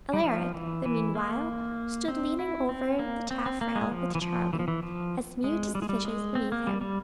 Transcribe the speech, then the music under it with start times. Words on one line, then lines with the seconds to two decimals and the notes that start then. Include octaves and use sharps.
Alaric, the meanwhile, stood leaning over the taffrail with Charley, as mute as the fishes beneath him.
0.13 G3
0.24 F3
0.55 E3
0.86 E3
1.15 A#3
2.08 C4
2.39 E4
2.69 C4
2.99 A#3
3.31 C4
3.46 C4
3.61 A#3
3.75 G#3
3.91 F3
4.15 E3
4.22 F3
4.53 E3
4.59 F3
4.68 E3
4.83 F3
5.44 G#3
5.75 G3
5.82 G#3
5.89 G3
6.05 G#3
6.35 C4
6.52 A#3
6.67 G3
6.81 G3